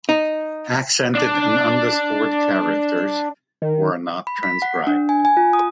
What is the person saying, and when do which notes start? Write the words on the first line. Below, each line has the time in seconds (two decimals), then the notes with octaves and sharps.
Accented and underscored characters were not transcribed.
0.09 D#4
1.15 D4 D5
3.62 D#3
4.27 B5
4.43 B6
4.62 F#5
4.87 D4
5.09 G#5
5.25 G#5
5.37 F4
5.53 D#6